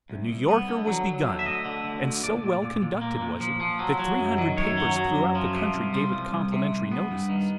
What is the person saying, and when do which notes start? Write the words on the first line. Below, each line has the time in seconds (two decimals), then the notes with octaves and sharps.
The "New Yorker" was begun, and so well conducted was it that three hundred papers throughout the country gave it complimentary notices.
0.10 C2
0.29 C2
0.48 B3
0.68 D3
0.87 F#3
1.07 F#3
1.26 D3
1.39 E5
1.46 D2 D#5
1.65 D3
1.84 D2
2.04 D2
2.24 A#2 D5
2.43 A#2
2.62 A#2
2.82 A#2
3.01 A#3
3.21 A#2
3.40 F3
3.60 F3
3.79 F#3
3.99 F#3
4.18 F#2
4.38 D#3
4.57 F#2 C#5
4.77 F#3
4.96 F#3
5.16 F#2
5.35 F3
5.55 C3
5.74 C2
5.94 F3
6.13 C2
6.33 C2
6.52 C3
6.71 C2
6.92 B3
7.11 G2
7.30 D#3